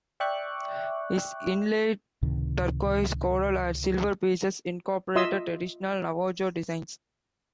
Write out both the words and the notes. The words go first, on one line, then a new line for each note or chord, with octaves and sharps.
His inlaid turquoise, coral, and silver pieces incorporated traditional Navajo designs.
D5 E5 G5 C#6 D6 F#6
C#2 A2 C3 D#3
F4 D#5 E5 C6 D#6 E6